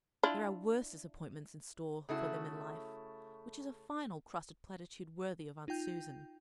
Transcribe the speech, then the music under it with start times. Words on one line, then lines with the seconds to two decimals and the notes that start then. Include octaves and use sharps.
'There are worse disappointments in store for them in life-- Which is a fine old crusted platitude worthy of Aunt Susan.
0.23 D4 E4 F4
2.09 C#3 A3 E4 F#4
5.68 D#4 F4 G5 G6